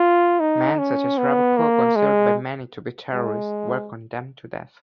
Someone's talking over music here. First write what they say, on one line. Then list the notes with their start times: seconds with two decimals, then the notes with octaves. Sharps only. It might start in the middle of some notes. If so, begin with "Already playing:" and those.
Men such as Ravachol, considered by many to be terrorists, were condemned to death.
Already playing: F4
0.40 D#4
0.79 C#4
1.18 B3
1.57 A#3
1.96 G#3
3.13 G#3